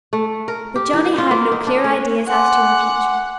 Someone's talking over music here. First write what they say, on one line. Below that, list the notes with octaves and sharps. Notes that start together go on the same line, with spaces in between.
But Johnnie had no clear ideas as to her future.
A3
A#4
G4
E3
F4
A#3
D#4
D4
A3
F#5 G#5 C6 D6